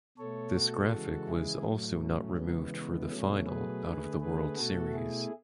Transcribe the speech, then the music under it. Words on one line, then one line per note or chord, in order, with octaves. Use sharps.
This graphic was also not removed for the final out of the World Series.
B2 A3 A4 C#5
F#4 A4
C#3 E3 G#3
E4 G#4
A2 F#3 A3
C#4
C#3 E3 G#3 B3
B3
B2 F#3 A3 C#4
G#4 B4
D3 A3
G#4 B4
B2 A3 F#4 A4
E4 G#4